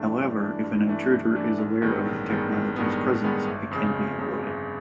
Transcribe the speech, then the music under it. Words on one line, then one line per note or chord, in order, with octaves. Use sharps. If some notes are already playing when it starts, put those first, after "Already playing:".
However, if an intruder is aware of the technology's presence, it can be avoided.
Already playing: G2 E3 A3 D4
G2
E3 A3 D4
G2
E3 A3 D4
G2
E3 A3 D4
A1
G2 D#3 G#3 B3
A1
G2 D#3 G#3 B3
A1
G2 D#3 G#3 B3
A1
G2 D#3 G#3 B3
G1
F2 C#3
G1
F2 C#3
G1